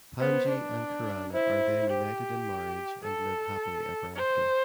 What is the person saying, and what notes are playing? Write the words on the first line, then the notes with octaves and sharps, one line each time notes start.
Panji and Kirana are then united in marriage and live happily ever after.
B3 C5
D4
E4 C5
G4
A4
C5